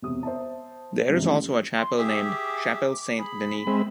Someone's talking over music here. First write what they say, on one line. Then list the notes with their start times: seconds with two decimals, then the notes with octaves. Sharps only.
There is also a chapel named Chapel Saint Denis.
0.02 E1 C3 D#6
0.23 C5 E5 A5
1.09 G2 C3
1.22 D#3 E3 G3 A3 C#4
1.77 C6
1.99 G4 G#4 E5 D6
3.18 G#4 B5
3.67 G#3 C4 E5